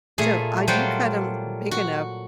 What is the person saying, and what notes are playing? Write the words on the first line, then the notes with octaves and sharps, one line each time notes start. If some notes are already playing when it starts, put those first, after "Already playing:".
so, I do cut 'em big enough
A#2 A3 G#4
F#3 G3 F4 C5 F#5 G5
F#4